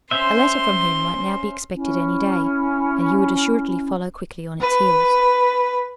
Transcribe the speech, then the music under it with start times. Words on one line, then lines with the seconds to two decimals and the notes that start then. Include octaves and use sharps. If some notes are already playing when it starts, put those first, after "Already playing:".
A letter from him might now be expected any day; and he would assuredly follow quickly on its heels.
0.11 C#4 C5 E5 C6
1.73 C#4 E4
4.60 B4